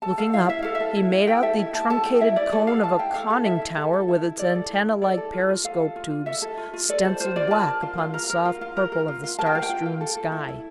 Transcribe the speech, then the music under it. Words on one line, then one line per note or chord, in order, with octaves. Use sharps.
Looking up, he made out the truncated cone of a conning tower with its antennae-like periscope tubes stencilled black upon the soft purple of the star-strewn sky.
A4 A5
A4 F5
E4 F5
E4 E5
A4 F5
E5
A4
E4
E4
A4 G5
A4 E5
E4
E4 A5
A4 A5
A4 G5
E4 E5
E4 D5
A4 D5
A4 F5
E4 A5
E4 G5
A4 F5
A4
E4 E5
E4
A4
A4
E4
E4
A4 D5
A4
E4
E4
A4 D5
A4
F4
F4
A4 F5
A4
F4
F4
A4 E5
A4
F4
F4
A4 D5
A4 C5
F4 C5
F4 D5
A#4 A5
A#4
F4
F4
A#4
A#4
F4
F4
A#4
A#4
F4
F4
A#4 A5
G5
A#4 F5
G5
F4
F4
A4
A4
E4
E4